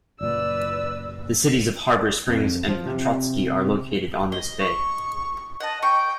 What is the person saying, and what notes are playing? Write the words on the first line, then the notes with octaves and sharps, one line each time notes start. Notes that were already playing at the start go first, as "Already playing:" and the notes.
The cities of Harbor Springs and Petoskey are located on this bay.
F#1 A#2 B4 D5 E6
F2
F3
C3
D#5
C#6
D#5 F#5 A5
G5 C#6